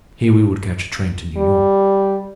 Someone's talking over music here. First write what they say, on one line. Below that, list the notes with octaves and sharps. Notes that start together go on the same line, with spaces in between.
Here we would catch a train to New York.
G3